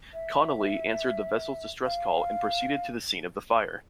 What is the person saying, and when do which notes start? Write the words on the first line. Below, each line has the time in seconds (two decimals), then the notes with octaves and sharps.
"Conolly" answered the vessel's distress call and proceeded to the scene of the fire.
0.14 E5
1.85 F5